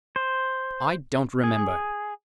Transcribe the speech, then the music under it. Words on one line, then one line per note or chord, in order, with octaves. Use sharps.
I don't remember....
C5
G#4